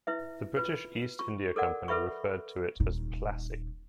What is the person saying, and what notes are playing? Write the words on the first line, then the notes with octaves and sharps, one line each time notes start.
The British East India Company referred to it as "Plassey".
E4 B4 E5
F4 B4
F4 C#6
A4 A#4 D5 F#5
A4 B4 E5 B5 C#6
D#1 D#4